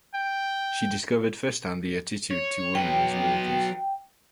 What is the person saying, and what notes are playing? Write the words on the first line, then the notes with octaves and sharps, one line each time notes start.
She discovered first hand the attitude to women as workers.
G5
C#5
F#3 B4 G5